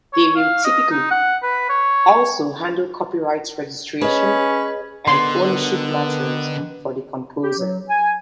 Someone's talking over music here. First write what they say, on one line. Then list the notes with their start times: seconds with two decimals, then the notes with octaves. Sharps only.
They will typically also handle copyright registration and "ownership" matters for the composer.
0.13 C#5
0.36 F5
0.65 D#5
0.91 D#4
1.11 F#5
1.43 B4
1.69 C#5
4.01 C#4 G#4 B4 C#5 D#5
5.08 D3 D#3 B3 B4 D5 C6
7.43 G4
7.58 F#3
7.89 G#5